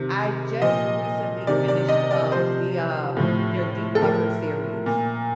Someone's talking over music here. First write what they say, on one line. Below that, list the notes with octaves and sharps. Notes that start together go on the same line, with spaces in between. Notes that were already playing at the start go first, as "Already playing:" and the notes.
I just recently finished up the, um their Deep Cover series
Already playing: C3 D#3
A#2 F3 D#5
C3 D#3 D5
D5
D#5
D5
C3 F3 C5
A2 F3
A4
A2 F3 A#4
A#2